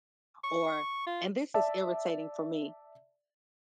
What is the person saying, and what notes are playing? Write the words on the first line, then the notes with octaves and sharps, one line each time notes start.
or and this is irritating for me,
C#6
F4
D5 E5 A5